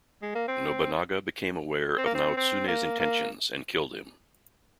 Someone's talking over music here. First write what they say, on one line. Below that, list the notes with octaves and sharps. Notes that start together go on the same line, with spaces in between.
Nobunaga became aware of Naotsune's intentions, and killed him.
G#3
A#3
C4
C4
A#3
C4
C4
A#3
A#3